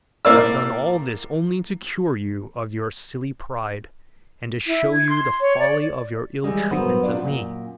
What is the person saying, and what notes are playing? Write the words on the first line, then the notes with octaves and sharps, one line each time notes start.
I have done all this only to cure you of your silly pride, and to show you the folly of your ill-treatment of me.
A2 A#3 D5 E6
E4
G#6
C6
C#5
D5
E3 F3 G3 G#3
G2 F#3 B3 A#4 C5
C3 D4 F4 D5
F#2 A#2